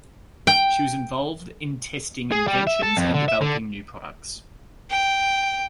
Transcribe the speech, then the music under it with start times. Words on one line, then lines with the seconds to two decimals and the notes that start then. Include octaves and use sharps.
She was involved in testing inventions and developing new products.
0.47 G5
2.32 G#4
2.48 G3
2.67 E5
2.83 A4
2.97 F2
3.14 D3
3.28 E5
3.41 D3
4.90 G5